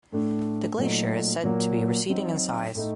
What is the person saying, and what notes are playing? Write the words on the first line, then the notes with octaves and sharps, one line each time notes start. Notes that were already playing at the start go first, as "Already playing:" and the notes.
The glacier is said to be receding in size.
A2 A3 D4
A#2 F#3 A3 D#4
A#2 F#3 A#3
F#3 C4 D#4
A2 A3 D#4